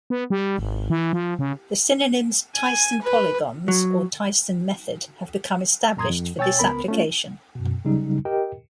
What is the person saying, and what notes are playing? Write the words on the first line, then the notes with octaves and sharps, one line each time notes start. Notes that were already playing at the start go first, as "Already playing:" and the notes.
The synonyms Thiessen polygons or Thiessen method have become established for this application.
B3
G3
G#1
E3
F3
C#3
G#5
B4
F#3
F#2 A#2 A#5 C6 D#6 G#6
F2
B2 C#5 G5 G#5 E6 A6
C#2 B3 A#4 B5
A3 C#4 F4
F#2 B2
C#3 F#3 G3 D#4
G4 A#4 D#5 G5